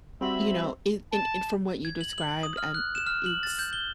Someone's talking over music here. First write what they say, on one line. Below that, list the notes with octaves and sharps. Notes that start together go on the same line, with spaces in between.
You know, it and and from what you described, I'm i it's
G3 C4 E4 F#4 A4 E5 B5
A5
G#6
F#7
F#7
D#6
F6
F#6
E7
F6
F#7
A6
G6
G7